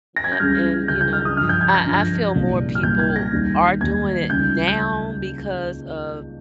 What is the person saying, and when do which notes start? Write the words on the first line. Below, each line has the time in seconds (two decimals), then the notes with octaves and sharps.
Yep and you know I I feel more people are doing it now because of
0.16 A#6
0.24 G#6
0.32 G6
0.40 C#2 C#3 G3 F6
0.88 C#2 C#3 G3 G6
1.01 G6
1.13 F6
1.25 D#6
1.37 G2 F3 F6
1.49 G6
1.61 G#6
1.74 A#6
1.86 G2 F3
2.34 C2 A#2 G3
2.75 F6
2.83 C2 A#2 G3 G6
2.99 G#6
3.16 A#6
3.32 D#2 D#3 G3
3.81 D#2 D#3 G3 G#6
4.30 C#2 C#3 G3 G6
4.68 G6